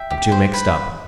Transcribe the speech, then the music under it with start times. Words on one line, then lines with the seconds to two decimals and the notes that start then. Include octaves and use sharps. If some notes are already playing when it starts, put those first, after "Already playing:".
I'm too mixed up.
Already playing: E5 G5
0.11 G4
0.32 C5
0.54 B4